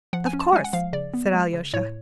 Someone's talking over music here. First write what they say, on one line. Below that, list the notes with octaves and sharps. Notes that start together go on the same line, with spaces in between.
"Of course," said Alyosha.
F3 F#5
G#5
C#4
A5
G#3 G#5
F#5
F3 F5
C#3 D5
B3
G#3
C#3
A2 C#5